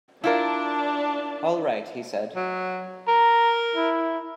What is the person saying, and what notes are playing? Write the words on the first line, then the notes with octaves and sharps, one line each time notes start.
"All right," he said.
D4 E4 F4 A#4 A5
F#3
A#4 A#5
E4